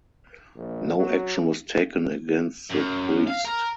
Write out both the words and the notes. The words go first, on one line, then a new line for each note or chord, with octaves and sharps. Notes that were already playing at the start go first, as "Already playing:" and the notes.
No action was taken against the priest.
A#1
F#3
F#2
F5
A#4